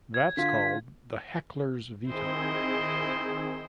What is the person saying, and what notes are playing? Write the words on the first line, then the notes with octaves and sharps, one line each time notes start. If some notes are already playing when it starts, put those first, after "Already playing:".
That's called the 'heckler's veto'.
G#6
D3 F4 B6
D#3 C4 E4 G#4 C5 D#5